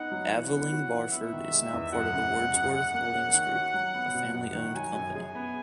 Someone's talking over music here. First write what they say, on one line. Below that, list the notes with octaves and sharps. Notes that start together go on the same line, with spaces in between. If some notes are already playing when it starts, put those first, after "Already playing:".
Aveling-Barford is now part of the Wordsworth Holdings Group, a family-owned company.
Already playing: B3 D#4 F#5
F#3
E3 F#5
B3
F#4
E3
B3 E5
D#3
G#3
E2
F#2 F#5
C#3
G#3
F#2
G#4
A#3
C#4
D#3
F#4
F#3
B3
B2
F#2 F#5
D#3
F#3 G#5
F#2
G#4 G#5
B3